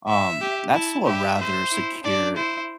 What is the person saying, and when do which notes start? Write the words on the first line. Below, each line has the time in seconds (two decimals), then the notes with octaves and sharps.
um that's still a rather secure
0.08 E5
0.41 G4
0.73 E4 A5
1.06 G4 E5
1.39 C5
1.72 E4
2.04 D4 D5
2.36 E4 C5